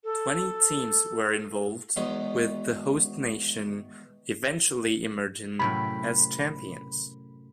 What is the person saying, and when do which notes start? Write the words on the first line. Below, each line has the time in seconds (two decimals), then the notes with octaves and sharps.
Twenty teams were involved, with the host nation eventually emerging as champions.
0.04 A4
1.96 E2 D#3 F#3 G#3 B3
5.59 F#2 A2 C3 B5